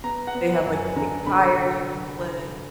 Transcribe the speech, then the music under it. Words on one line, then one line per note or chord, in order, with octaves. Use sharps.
They have, like, a big tire you can flip
B3 A#5
F#5
B3
F#5
F#2
G#5
D3 A#5
D3 B5